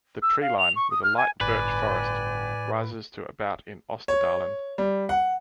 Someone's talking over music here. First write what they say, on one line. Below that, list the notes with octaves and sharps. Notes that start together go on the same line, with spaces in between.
The treeline, with a light birch forest, rises to about in Østerdalen.
E6
F5
F7
C#6
D#6
F6
G#5
G1 A2 B4 D5 G#5
C#5
G3
F#5